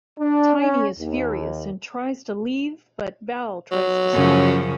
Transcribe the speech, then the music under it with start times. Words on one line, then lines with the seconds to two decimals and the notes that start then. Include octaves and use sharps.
Tiny is furious and tries to leave but Val tries to stop him.
0.19 D4
0.60 C#4
0.98 D#2
3.72 F#3
4.13 F#2 C#3 F3